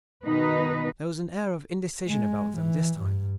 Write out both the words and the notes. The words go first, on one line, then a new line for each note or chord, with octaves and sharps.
There was an air of indecision about them this time.
B2 D#3 D#4 B4
G#3
E3
G2